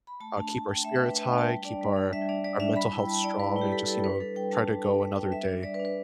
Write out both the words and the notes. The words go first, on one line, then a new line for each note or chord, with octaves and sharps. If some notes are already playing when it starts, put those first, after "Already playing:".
uh, keep our spirits high, keep our our mental health strong, and just, you know, try to go another day.
B5
A3 A5
D4 A5
A3 A5
D4 G5
A3 E5
B4
D4
G5
A3 E5
G5
D4
A5
G3 G5
D4 D5
G3
D4
G3 E5
D4 D5
G3 D5
D4 E5
G3 B5
E4
G5
G3 A5
E4 D5
G3 B4
E4
G4
G3 A4
E4 A4
G3 B4
D4 A4
G3 G5
D4 A5
G3
D4
G3
D4 G5
G3 E5
D4
G3 D5
B4
D4
B4